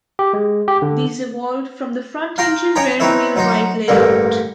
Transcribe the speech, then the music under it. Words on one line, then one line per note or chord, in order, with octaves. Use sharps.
These evolved from the front-engine rear-wheel drive layout.
G4
G#3
G4
D3
F5 G5 A#5 C6
C#5 D#5 G5 G#5 A#5 B5
C4 D#4 E4 B4 C#5 E5
F#3 D#4 C5
A1 G2 D3 A#3